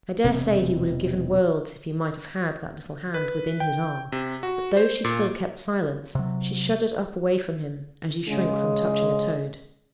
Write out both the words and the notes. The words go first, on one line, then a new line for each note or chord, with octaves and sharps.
I dare say he would have given worlds if he might have had that little hand within his arm; but, though she still kept silence, she shuddered up away from him, as you shrink from touching a toad.
E1 C3 C4
B4
G5
C3
F#4
C5
A#2
C3 F#3
C#3 G#3